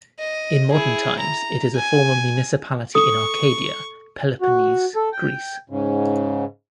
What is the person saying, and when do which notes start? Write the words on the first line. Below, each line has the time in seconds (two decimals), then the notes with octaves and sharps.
In modern times it is a former municipality in Arcadia, Peloponnese, Greece.
0.19 D#5
0.72 E4 G#4
1.19 A#5
1.76 G#5
2.95 A4 C#6 D#6
4.41 F#4
4.96 A4
5.13 G5
5.70 G#2 C#3